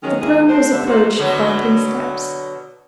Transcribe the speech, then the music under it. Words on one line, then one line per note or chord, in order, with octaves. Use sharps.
The throne was approached by three steps.
D#3 F#3 G#3 C#4
D#3 G#3 A#3 D#4 E4 G#4
C4 D4 F#4 A4 C5
D3 G3 E5
D#4 F4 F#4 C5
B2 D3 F#3